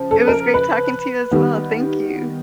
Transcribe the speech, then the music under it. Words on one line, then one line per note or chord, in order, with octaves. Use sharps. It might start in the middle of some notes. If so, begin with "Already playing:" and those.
It was great talking to you as well. Thank you.
Already playing: C#3 F3
A4
A#4
B4
D#3 G3 B3